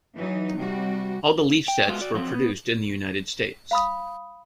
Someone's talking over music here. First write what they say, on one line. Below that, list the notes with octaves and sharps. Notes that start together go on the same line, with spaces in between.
All the Leaf sets were produced in the United States.
E3 F#3 D#4
C3 G3 F#4
G5
G#3 A3 B3 F4 F#4
F#4 D5
F3 F#3 B3 C4
B3
F5 B5 D#6